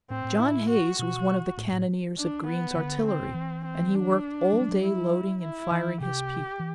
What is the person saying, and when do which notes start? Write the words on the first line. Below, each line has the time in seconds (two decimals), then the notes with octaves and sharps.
John Hays was one of the cannoneers of Greene's artillery and he worked all day loading and firing his piece.
0.10 A2 C4
0.24 A2
0.39 E4
0.69 F#4
0.99 B2 F#4
1.57 A2
1.72 A2
2.17 D4
2.46 B3
2.76 D3
3.06 C4
3.34 E3
3.64 C4
3.94 D4
4.53 F#3
4.61 G3
4.69 F#3
4.83 E4
5.42 E4
5.71 E3
6.01 C3 G4
6.59 E3